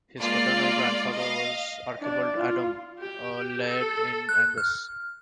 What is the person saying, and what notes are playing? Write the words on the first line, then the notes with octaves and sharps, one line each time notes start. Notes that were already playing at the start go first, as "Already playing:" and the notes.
His paternal grandfather was Archibald Adam, a laird in Angus.
G#3 A#3 F4 D5
D#5 F5
D4 D5
F4
G4
A4
F#6
F6